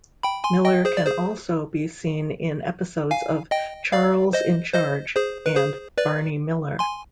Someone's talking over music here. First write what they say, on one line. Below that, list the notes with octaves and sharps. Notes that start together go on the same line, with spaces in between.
Miller can also be seen in episodes of "Charles in Charge" and "Barney Miller".
G5 B5
G#5 C6
D#5 G5
G#4 C5
D5
G#4 C5
F5 G#5
D#5 G5
D5 F5
C5 D#5
C5 D#5
G#4 C5
B4
G#4 C5
B4 D5
G#5 C6